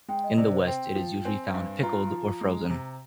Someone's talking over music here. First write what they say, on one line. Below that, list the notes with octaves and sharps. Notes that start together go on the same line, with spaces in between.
In the west it is usually found pickled or frozen.
G#3 G5
D#5
C3 D5
C5
C4 G5
F3
C4 G#5
G2
F4 A#5
F3
G#3
C3